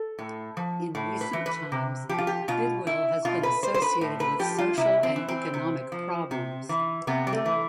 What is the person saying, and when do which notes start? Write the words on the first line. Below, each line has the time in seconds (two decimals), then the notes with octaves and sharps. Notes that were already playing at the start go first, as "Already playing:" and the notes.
In recent times, Bidwill has been associated with social and economic problems.
Already playing: A4
0.19 A2
0.57 F3
0.95 A2
1.21 B4
1.33 E3
1.46 B4
1.72 C3
2.09 F3 G4
2.18 F4
2.27 G4
2.48 B2 F4
2.87 E4
3.25 B2 F4
3.43 B4
3.63 C5
3.74 C5
3.82 B4
4.01 A2
4.20 B4
4.39 F3 G4
4.58 F4
4.77 C3 E4
5.03 C4
5.16 E3
5.28 C4
5.54 C3
5.92 F3
6.31 C3
6.69 E3
7.07 C3 B3
7.27 G3
7.33 A3
7.45 E3